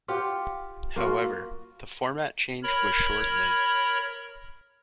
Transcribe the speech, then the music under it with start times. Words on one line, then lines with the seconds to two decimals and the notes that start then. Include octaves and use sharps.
However, the format change was short lived.
0.08 F4 G4 F#5
0.96 A#3 F4 F#4
2.63 A#4 C#5 B5